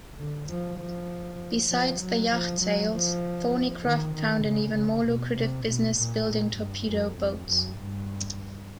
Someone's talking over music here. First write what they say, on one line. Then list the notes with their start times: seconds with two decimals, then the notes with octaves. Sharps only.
Besides the yacht sales, Thornycroft found an even more lucrative business building torpedo boats.
0.19 D3
0.49 F3
0.80 F3
1.70 F3
2.01 F#3
2.31 F3
2.62 F#3
2.93 F3
3.83 D#3
4.14 D#3
4.44 C#3
4.75 C#3
5.05 B2
5.36 C3
5.65 B2
5.96 A#2
6.26 A#2
6.56 G2
6.88 F#2
7.18 F2
7.48 F#2
7.78 G2